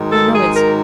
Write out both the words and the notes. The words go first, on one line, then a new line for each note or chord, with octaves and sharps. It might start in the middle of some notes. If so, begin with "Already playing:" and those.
"I know it."
Already playing: G#2 D#3 F#3
A4
G#4
A#4